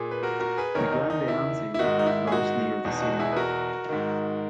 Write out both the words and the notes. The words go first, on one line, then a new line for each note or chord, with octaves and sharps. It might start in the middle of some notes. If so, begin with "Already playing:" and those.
The Grande-Anse River flows near the city.
Already playing: A#2 G#4
B4
F#4 A#4
F#4 A#4
G#4 B4
E2 D#3 A#4 C#5
D#4
D#4
E4
E4
G#2 D#3 D#4 F#4
D#4
E4
G#4
D#4 F#4
E2 B2 D#4
D#4 F#4
E4 G#4
B4
F#4 A#4
G#2 D#3